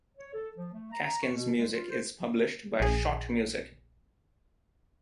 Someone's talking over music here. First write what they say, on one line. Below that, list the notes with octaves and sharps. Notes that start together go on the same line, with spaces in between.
Casken's music is published by Schott Music.
C#5
A4
F3
A3
A#5
C#6
B2
G#3
F4
C5
A#1 G#4